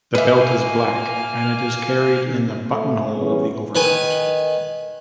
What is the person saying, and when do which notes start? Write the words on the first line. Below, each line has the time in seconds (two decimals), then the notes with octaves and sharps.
The belt is black, and it is carried in the buttonhole of the overcoat.
0.15 A#3 B4 E5 G#5 F6
2.72 A3
3.18 E3 G3 B3 C#4 G#4
3.75 D#3 B4 G#5